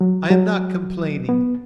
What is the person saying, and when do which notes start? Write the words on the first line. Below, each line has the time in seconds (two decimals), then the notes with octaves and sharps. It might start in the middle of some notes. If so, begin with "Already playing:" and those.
I am not complaining.
0.01 F#3
0.31 F#3
1.29 B3